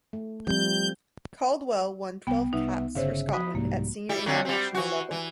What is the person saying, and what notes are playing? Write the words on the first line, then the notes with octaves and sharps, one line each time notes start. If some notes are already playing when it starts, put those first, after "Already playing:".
Caldwell won twelve caps for Scotland at senior international level.
A3
F3 G3 C4 G6
C2 B3 G5
C2 B3 D#4 E5
G1 C#3 C5 C#5 E5 F5
F3 F#4 B5 D#6 B6
C2 G#2 G3 A#3
G3 E4
F2 D3 F#3
G3 C4
E3 F#4
E3